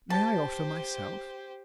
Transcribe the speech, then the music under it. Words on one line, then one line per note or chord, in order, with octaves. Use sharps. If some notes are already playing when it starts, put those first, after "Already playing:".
"May I offer myself?"
G4 C5 A5